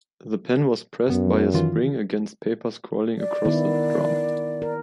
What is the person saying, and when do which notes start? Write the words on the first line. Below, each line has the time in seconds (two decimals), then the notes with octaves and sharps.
The pen was pressed by a spring against paper scrolling across the drum.
1.10 F#2 B3
1.54 D#3 E3 F4
3.19 D5
3.45 D#3 B3 E4
4.62 A#4